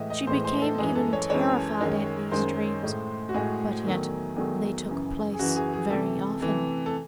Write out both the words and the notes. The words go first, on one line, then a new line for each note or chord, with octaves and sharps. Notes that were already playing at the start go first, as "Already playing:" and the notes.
She became even terrified at these dreams; but yet they took place very often.
Already playing: A2 E3 G#3 D#5 E5
D#5
A2 E3 G#3 C5
C5
A4
F#2 E3 G#3 G#4
A4
C#5
F#2 E3 G#3 C#5
F#2 D#3 G#3
F#2 D#3 G#3 C5
A2 G#3
F#4
A2 G#3 G#4
E2 D#3 F#3 A3
E2 D#3 F#3 A3 G#4
F#2 C#3 E3
G#4
F#2 C#3 E3 F#4
G#4
G#4
C3 E3 A3 A4
C3 E3 A3
A4